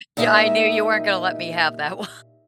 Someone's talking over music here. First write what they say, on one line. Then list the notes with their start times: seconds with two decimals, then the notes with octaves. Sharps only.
Yeah, I knew you weren't gonna let me have that one.
0.17 A#2 D#4 G4 D#5 E5 G#5